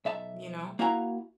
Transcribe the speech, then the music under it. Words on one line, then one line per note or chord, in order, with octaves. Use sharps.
you know?
B1 E5 A5
A#3 E4 F#4 F5 G#5 A#5